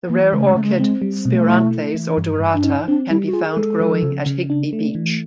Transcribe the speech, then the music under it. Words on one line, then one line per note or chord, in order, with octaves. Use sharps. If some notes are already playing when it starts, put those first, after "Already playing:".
The rare orchid Spiranthes odorata can be found growing at Higbee Beach.
E3 A#3
C#3 G#3
A3
G#3
C#3 A3
G#3
A3
G#3 C4
G3
B2 A3
E4
A3
E3
G2
G2
D4
C#4 D#4
C4 D4
G3 E4
F#4
F4 G#4
A#4
G#3 A4
F3
C#3
C#3
D4
A3
E3